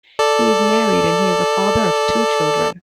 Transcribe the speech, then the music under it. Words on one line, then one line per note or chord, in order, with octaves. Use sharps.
He is married and is a father of two children.
A4 D5